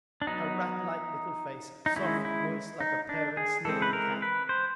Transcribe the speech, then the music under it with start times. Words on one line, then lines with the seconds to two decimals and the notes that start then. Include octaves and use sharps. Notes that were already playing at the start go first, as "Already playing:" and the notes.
Her ratlike little face, soft voice like a purring, sniveling cat!
0.22 D4
0.27 F#3 B3 D#4
1.86 D#4
1.96 D#3 G#3 C#4 E4
2.25 E4
2.80 D#4
3.09 D4
3.37 G#4
3.65 E3 G#3 C4 A4
3.82 B4
3.93 A#4
4.22 B4
4.49 C5